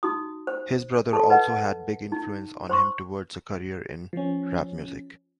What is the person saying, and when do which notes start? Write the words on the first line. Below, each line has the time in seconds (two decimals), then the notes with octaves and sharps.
His brother also had big influence on him towards a career in rap music.
0.03 D#4 F#4 D#6
0.47 C5
1.13 A4 A5
1.30 B4 D#5 F#5
2.12 D#4
2.69 C5 C6 C#6
4.13 F3 C#4